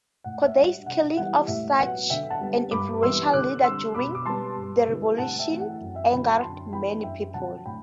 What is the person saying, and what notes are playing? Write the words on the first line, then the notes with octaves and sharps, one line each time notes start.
Corday's killing of such an influential leader during the revolution angered many people.
A2 F#5
E5
G3 D4 F#5
C3 F#5
E3 G3 B3 E4 F#5
A2 E5
F#3 B3 F#5
D3 E5 G5
F#5 A5
G3 B3
G2 B5 D6
E3 G3 B3 E4 C6 E6
D3 D6 F#6
G3 C4 C6 E6
B2 B5 D6
D6
G3 B3 A5 C6
G2
D3 G3 B3 E4
A2 F#5 A5
E5 G5
E3 A3 C4 E4
F#5
F#2
E5 G5
D3 F#3 C4 E4 G5 B5
G5 B5
F#2 A5 C6
E3 B3 D4 G5 B5
F#2 E5 G5
D3 F#3 C4 F#5 A5
A2 G5 B5